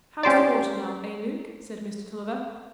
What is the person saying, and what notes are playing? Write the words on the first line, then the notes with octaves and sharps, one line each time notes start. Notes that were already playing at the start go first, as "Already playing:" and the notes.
"How's the water now, eh, Luke?" said Mr. Tulliver.
C#4 G4 C5 D5